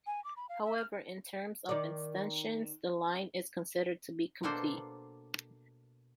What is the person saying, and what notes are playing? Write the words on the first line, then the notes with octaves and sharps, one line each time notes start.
However, in terms of extensions, the line is considered to be complete.
G#5
D6
B5
F5
E5
F6
D#3 D5
B2 A#3 D4 A4 C5